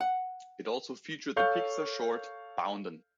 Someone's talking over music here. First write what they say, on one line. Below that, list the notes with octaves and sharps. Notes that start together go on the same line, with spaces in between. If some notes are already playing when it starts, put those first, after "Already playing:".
It also featured the Pixar short "Boundin'".
F#5
A4 C#5 F5 C#6 G6